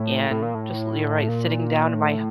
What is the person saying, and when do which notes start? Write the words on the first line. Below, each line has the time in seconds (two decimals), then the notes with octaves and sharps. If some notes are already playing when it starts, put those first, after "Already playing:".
And just you're right sitting down my
Already playing: A2
0.31 A2
0.42 A#2
0.55 A2
1.28 A#2
1.94 A2